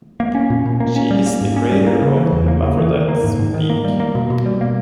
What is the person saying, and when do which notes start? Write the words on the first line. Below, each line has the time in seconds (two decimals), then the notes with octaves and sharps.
She is the creator of Hermaphrodites Speak!
0.20 A#3
0.35 C#4
0.50 A#2
0.66 A#2
0.80 A#3
0.96 C#4
1.11 G3
1.26 A#3
1.41 G#2
1.56 C#4
1.72 G3
1.87 A#3
2.02 C#3
2.17 E3
2.32 E2
2.48 A#3
2.63 C#3
2.78 E3
2.93 D#3
3.08 A#3
3.24 G#2
3.39 G#2
3.54 D#3
3.70 A#3
3.84 G3
4.00 A#3
4.15 B2
4.30 B2
4.46 G3
4.61 A#3